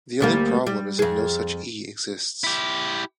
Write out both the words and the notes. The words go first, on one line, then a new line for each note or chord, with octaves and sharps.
The only problem is if no such "E" exists.
D2 G3 A#3
G3
F2 G#4
E4 G4